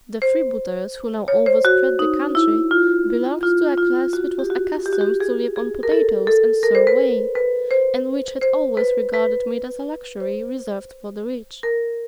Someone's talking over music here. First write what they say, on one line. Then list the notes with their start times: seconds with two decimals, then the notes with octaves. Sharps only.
The freebooters who now overspread the country belonged to a class which was accustomed to live on potatoes and sour whey, and which had always regarded meat as a luxury reserved for the rich.
0.22 C5
1.28 C#5
1.46 C5
1.65 F#4
1.99 D#4
2.35 E4
2.71 F4
3.43 F4
3.78 F4
4.13 F#4
4.39 G4
4.50 F#4
4.86 G4
4.93 F#4
5.01 G4
5.20 G#4
5.56 G#4
5.83 A#4
5.92 A4
6.27 A4
6.63 A#4
6.75 C5
6.87 B4
7.35 B4
7.71 C5
8.41 C5
8.77 B4
9.14 B4
10.20 C5
11.63 A#4